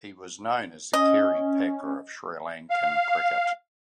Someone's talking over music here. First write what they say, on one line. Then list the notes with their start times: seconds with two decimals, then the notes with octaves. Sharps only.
He was known as the "Kerry Packer of Sri Lankan cricket".
0.93 C#4 D#5
2.70 F5